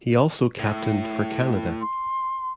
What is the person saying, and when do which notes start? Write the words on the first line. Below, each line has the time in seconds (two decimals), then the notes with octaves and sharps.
He also captained for Canada.
0.59 A2
1.81 C6